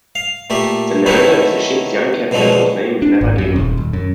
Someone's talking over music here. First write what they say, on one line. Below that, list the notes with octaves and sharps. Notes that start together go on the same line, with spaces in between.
The narrator is the ship's young captain, whose name is never given.
F5
A#2 A3 G4
D#3 E3 F#3 A3 D#4 E4
B2 D3 F3 F#3 G#3
D4
G#1
F#2
D#1
D#1
F#2